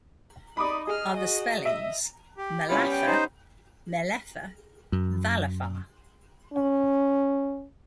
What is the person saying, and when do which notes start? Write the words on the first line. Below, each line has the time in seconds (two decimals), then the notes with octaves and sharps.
"Other spellings": Malaphar, Malephar, Valafar.
0.57 D#4 D5 B5 D6 D#6
0.87 G#4 D#5 F6
1.17 F#4 D#5
1.65 D#5 E5
2.37 G4
2.69 C3 G3 B3 C#4 E4 F4
2.91 G5
3.06 D#4 C5
4.92 F#2
6.54 C#4